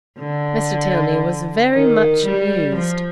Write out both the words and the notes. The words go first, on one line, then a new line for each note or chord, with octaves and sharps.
Mr. Tilney was very much amused.
D3
D#3
G3
F3